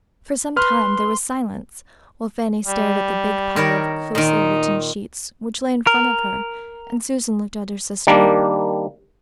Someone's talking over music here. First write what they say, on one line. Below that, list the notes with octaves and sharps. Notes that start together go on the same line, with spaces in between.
For some time there was silence while Fanny stared at the big pile of closely written sheets which lay in front of her and Susan looked at her sister.
B4 C6 F6
G3
D#3 A#4 C#5
A#2 D#3 D#4
A#4
D#3 G3 A#3 D4